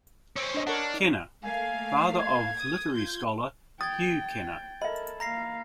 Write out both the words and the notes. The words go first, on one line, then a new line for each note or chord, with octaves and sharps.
Kenner, father of literary scholar Hugh Kenner.
C4 C#4
D4 D#5
D4 A#4 C#5 F#5
D#4
A3 A#3 F5 G#5
G#6
D#6
F4 G6 G#6
G5 D#6 G#6 A6
A4 A#4 D#5 E5 B5
A#3 F5 A#5 A#6 C7